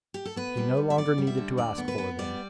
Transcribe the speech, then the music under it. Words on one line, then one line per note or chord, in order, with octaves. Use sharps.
He no longer needed to ask for them.
G4
A4
B3 B4
G3
B3
E5
B3 D5
G3
E5
D3
D2 D5
B3
B4
B3
G3 D5